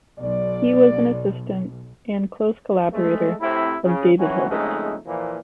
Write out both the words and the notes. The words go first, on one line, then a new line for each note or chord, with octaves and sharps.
He was an assistant and close collaborator of David Hilbert.
B1 D5
G#3 A3
A2 C3 C4 E4
C#3
D#3 E3 C#4 F#4
A#1 F2 C#3 G#3 A3 D#4
A#2 E3 F3